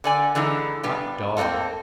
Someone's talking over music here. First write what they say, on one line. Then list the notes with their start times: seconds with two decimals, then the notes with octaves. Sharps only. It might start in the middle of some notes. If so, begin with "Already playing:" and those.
Hot dog!
0.04 D3 D5 G#5
0.35 D3 E3 G#3 D#4
0.83 G3 B3 D4
1.37 A#3 C4 D4 F4 A4